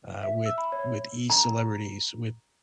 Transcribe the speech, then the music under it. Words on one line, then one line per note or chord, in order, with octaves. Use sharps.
uh, with with e-celebrities, with
E5
E6
B5
C#5
A#5